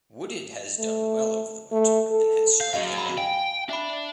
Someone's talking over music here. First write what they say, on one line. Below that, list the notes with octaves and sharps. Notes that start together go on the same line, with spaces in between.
Wooded has done well over the winter and has strengthened up.
A3
A3
A4
F5 G6
F#2 G#4 D#5 F5
B5 A6
F5 G5 G#5
D4 E5 B5